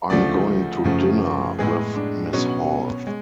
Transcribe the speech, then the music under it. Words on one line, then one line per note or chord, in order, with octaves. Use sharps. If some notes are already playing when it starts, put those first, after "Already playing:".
I'm going to dinner with Miss Hall.
D2 C#3 F3 A3 D5
F#2 C#3 F3 A3
A2 G#3 B3 G#4
D4
B2 F#3 B3 C#4
G#3